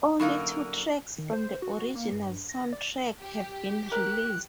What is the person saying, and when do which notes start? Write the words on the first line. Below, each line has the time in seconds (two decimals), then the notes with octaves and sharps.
Only two tracks from the original soundtrack have been released.
0.20 F#2 D3 A#3 D#4
1.18 D#3
1.33 C5
1.62 F#4
1.95 A#3
2.12 G2
2.49 A#6
2.73 D5
3.21 G4
3.92 A#4 F#6